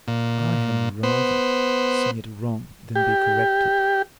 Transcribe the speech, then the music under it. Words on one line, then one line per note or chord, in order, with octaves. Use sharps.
I had rather sing it wrong, than be corrected.
A#2
B3 C5
G4